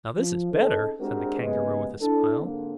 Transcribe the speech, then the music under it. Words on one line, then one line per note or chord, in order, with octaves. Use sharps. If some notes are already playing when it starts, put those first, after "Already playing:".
"Now this is better!" said the Kangaroo, with a smile.
F3
C#3 C4 D#4 A4
G#3 C4 D4 F#4 G4 A#4
D#2 C#3 G#3 B3
D4 E4 A4
G#2 D3 A#3 C4